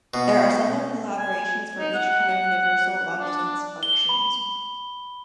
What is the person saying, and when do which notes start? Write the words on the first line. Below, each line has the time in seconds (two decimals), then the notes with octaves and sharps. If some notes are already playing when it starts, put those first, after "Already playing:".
There are several collaborations for each kind of universal long-distance functions.
0.14 B2
1.19 G#5
1.79 D#4
1.94 F#5
3.20 D4
3.83 G7
4.09 B5